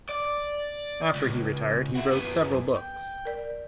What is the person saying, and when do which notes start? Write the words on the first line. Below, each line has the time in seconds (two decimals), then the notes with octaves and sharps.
After he retired he wrote several books.
0.09 D5
1.15 C#2
1.95 E4 F#4
2.12 F#2 B3
2.76 G5
3.25 A#4 D5